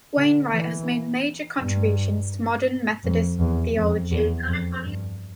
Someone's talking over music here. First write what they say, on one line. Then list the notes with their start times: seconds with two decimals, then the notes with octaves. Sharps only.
Wainwright has made major contributions to modern Methodist theology.
0.17 D3
0.53 E3
1.60 G2
3.04 F2
3.40 E2
3.76 F2
4.11 E2
4.48 F2
4.84 G2